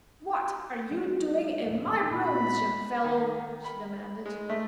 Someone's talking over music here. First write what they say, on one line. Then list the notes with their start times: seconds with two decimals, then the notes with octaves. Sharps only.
"What are you doing in my rooms, young fellow?" she demanded.
0.91 F#3 G#3
1.66 D#1 A1 G2
2.11 A#2 B5
3.04 D#3
3.64 B5
4.26 G#3
4.49 A3